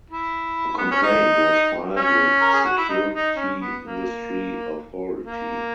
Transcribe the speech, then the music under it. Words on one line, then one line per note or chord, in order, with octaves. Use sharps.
A complaint was filed with Security Industry Authority.
E4
B3
C#4
D#4
C#4
A#4
G#4
F#4
E4
D#4
D#4
C#4
B3
A#3
A#3